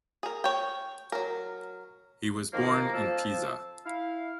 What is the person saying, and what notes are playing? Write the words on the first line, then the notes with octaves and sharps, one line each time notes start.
He was born in Pisa.
G#4 A#4
C#5 G5
F#3 A#4
D#3 F3 A#3
F2 F3 A5 E6
E4 F5